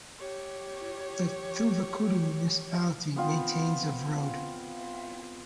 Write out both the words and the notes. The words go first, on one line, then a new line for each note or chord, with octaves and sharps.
The Thuvakudi municipality maintains of road.
G4 C#5
B3 C4 F4 B5